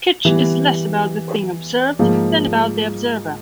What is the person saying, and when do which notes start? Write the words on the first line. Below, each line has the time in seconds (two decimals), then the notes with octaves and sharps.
Kitsch is less about the thing observed than about the observer.
0.25 E3 G3 B3
1.99 G#2 F3 A#3